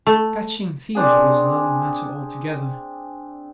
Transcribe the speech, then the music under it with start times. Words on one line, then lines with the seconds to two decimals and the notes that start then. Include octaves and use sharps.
Catching thieves was another matter altogether.
0.07 A3
0.95 C4 D4 G#4